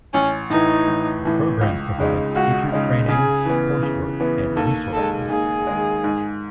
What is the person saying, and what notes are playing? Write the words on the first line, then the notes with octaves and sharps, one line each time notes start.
The program provides teacher training, coursework, and resources.
A1 C#4
A2 E3 D#4
A1
A2 E3
C#2
C#3 G#3 D#4
C#2 F#4
C#3 G#3 D#4
C#3 G#4
E3 B3
C#3
E3 B3
D#2 A4
D#3 G#3 A4
D#2 G#4
D#3 G#3
G#2